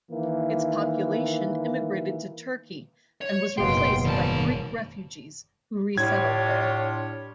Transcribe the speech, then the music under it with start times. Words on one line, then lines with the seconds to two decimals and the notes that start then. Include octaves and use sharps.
Its population emigrated to Turkey and was replaced by Greek refugees who resettled there.
0.12 D#3 E3 A#3
3.21 C#5
3.58 F#1 G#2 B2 D#3 A#3 B3 G5 C6
4.05 A#2 D#3 G3 A5
5.98 A2 G3 D4 F4 C#5 G#6